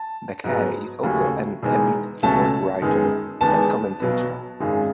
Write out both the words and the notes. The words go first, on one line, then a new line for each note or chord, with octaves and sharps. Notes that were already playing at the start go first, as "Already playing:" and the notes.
Bakay is also an avid sport writer and commentator.
Already playing: A5
G#2 F#3 B3
D#2 C#3 F#3 A3 C#4
E1 E2 D#3 G#3
C#2 B2 F#3 A3 C#4 A5
F#2 D#3 G#3 B3
E2 D#3 G#3 B3 A5
B1 B2 F#3 B3
G#1 F#2 D#3 G#3